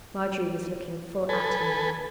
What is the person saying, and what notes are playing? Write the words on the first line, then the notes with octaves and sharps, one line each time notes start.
Marjorie was looking full at him now.
A4 B4 G#5